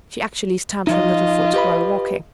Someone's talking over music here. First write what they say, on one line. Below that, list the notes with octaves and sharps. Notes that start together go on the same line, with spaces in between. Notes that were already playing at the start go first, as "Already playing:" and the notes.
She actually stamped her little foot while walking.
F3 D#4 F4 D#5
G4 B4 B5